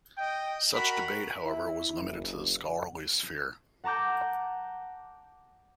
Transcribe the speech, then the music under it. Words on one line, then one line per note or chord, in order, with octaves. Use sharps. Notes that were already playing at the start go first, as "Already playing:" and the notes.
Such debate, however, was limited to the scholarly sphere.
D#5 G5
F#4 A#4 B5
E4
F#1
F#5 A5 A#5 D6 G6